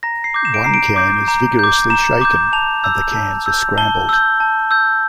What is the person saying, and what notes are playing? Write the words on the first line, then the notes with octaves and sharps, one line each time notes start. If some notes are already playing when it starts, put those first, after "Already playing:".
One can is vigorously shaken, and the cans are scrambled.
A#5 A#6
C7
D6 G6
E7
D7
A#5 C7
D7
D6 G6
A#5
D6 G6
A#5 E7
D6 G6
A5 F7
E6 G6
A5
E6 G6
A5 G7
E6 G6
A5
E6 G6